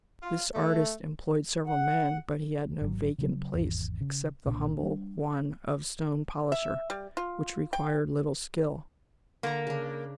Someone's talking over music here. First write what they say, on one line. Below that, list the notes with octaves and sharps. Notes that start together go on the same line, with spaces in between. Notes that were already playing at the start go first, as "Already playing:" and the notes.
This artist employed several men, but he had no vacant place except the humble one of stone polisher, which required little skill.
F4
A3
F#5
G#1 D3 F#3
C#3 F#3
G#1 E2
C#3
B1 A#2 D#3 D4
G3 D4
E5
G3
F4
G5
D3 A#3 A5 A#5
C#3 D4